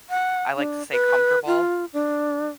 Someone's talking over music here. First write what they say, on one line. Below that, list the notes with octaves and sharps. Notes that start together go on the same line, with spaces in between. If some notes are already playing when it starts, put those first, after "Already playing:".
I like to say, comfortable?
F#5
D4
B4
F4
D4